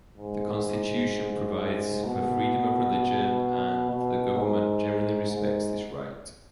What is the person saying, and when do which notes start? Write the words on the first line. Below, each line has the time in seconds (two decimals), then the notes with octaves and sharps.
The Constitution provides for freedom of religion, and the government generally respects this right.
0.18 G#2
2.05 B2
3.91 B2
4.37 G#2
5.30 G#2